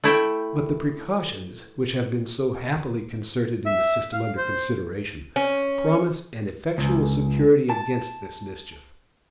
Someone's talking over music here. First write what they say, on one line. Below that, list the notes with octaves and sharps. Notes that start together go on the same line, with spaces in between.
But the precautions which have been so happily concerted in the system under consideration, promise an effectual security against this mischief.
A3 E4 E5 G5
E5
F5
C5
C#4
C#2
A5